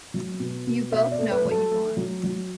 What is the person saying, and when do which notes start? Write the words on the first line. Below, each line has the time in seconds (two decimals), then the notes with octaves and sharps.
You both know what you want.
0.14 F#3
0.40 B2
0.67 B2
0.92 B2 E5
1.11 D5
1.18 A3
1.31 B4
1.45 F#3
1.51 A4
1.71 A3
1.97 F#3
2.23 F#3